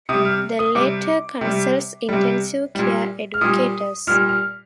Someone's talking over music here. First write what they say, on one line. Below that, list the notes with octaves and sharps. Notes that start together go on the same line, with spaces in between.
The latter consults intensive care educators.
C3 G3 D#6
F6
D#6
C3 G3 D6
C3 G3
C3 G3
A#2 G3
F6
A#2 G3 D#6
A#2 G3 F6
F6